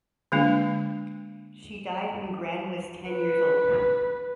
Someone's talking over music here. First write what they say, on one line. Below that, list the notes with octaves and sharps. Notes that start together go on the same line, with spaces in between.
She died when Gran was ten years old.
D3 G#3 A#3 D4
B4